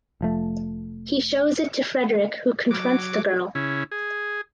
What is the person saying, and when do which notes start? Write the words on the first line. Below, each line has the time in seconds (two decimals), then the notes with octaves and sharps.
He shows it to Frederic who confronts the girl.
0.21 F1 F3 A3
2.71 F#3 D6
3.55 C#3 C#4 E4
3.91 G#4